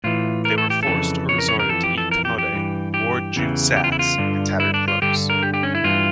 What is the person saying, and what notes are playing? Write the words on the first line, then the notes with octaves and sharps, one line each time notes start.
They were forced or resorted to eat camote, wore jute sacks and tattered clothes.
A2 E3 F4
A#4
A4
G4
F2 C#3 E3 A4
C#5
A#4
C#5
A#4
F2 E3 A4
G4
A4
A#4
G4
G4
G2 E3
G4
E2 C#3 E3
G4
F4
E4
F4
G2 D3
E4
D4
F4
G2 D3 G4
A#4
G4
G4
C#4
E4
G2 E3 F4